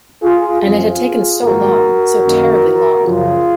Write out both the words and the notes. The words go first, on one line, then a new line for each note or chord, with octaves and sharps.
And it had taken so long — so terribly long!
F4 G#4
F#2 F3 C4 F4 G#4
G#2 D#3 A#3 F#4 A#4
F#2 D#3 A#3
F#2 C#3 F3 F4 G#4